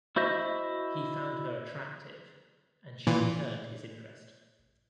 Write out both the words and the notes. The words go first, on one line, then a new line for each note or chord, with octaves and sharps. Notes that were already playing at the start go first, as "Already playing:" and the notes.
He found her attractive, and she returned his interest.
E4 F#4 C5 D#5 E5
A#2 E3